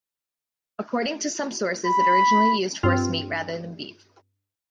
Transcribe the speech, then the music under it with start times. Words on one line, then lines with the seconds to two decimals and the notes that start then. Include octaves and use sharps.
According to some sources it originally used horse meat rather than beef.
1.87 B5
2.83 G2 C4 F4